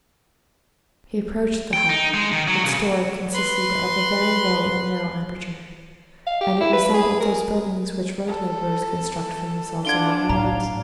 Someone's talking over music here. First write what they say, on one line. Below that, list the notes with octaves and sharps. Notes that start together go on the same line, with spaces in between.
He approached the hut; its door consisted of a very low and narrow aperture, and it resembled those buildings which road-laborers construct for themselves along the roads.
G5
D#4
G#3
D#3
F#3
B1 C#3
B4 C6
F5
G4
E4
B4
G#4
A#4
A4
D4 F4 F#5 G#6 D7 G7
A2 F5 A#5